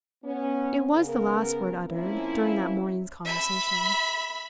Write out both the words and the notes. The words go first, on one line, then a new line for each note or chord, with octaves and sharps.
It was the last word uttered during that morning's conversation.
B3 C#4
C#3 B3 A#4
F3 A#3 C4 C#4 E4
E5 B5